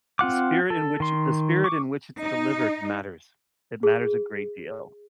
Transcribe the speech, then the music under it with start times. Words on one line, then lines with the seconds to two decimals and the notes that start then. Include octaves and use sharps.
The spirit in which i the spirit in which it's delivered matters. It matters a great deal.
0.19 C4 F4 F#5 D6
0.70 A4
1.00 D#3 C6
1.64 C#6 D6
2.21 D#4
3.83 G#4